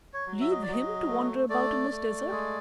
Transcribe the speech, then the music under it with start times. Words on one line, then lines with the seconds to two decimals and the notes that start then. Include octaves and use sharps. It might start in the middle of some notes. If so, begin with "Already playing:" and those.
Leave him to wander about in this desert!
0.14 C#5
0.26 F#3
0.41 E5
0.51 D#5
0.62 D5
0.68 F#3 D#5
1.08 A3
1.49 A3 D5
1.91 A3
2.31 G#3